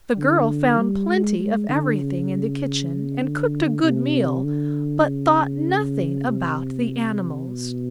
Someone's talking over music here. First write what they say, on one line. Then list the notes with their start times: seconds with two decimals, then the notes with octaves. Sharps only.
The girl found plenty of everything in the kitchen, and cooked a good meal, but thought nothing about the animals.
0.18 D3
0.78 G3
1.08 G#3
1.39 G#3
1.69 D3
1.99 C#3
3.22 D3
3.83 C3
4.44 D3
5.04 C#3
6.25 C3
7.48 B2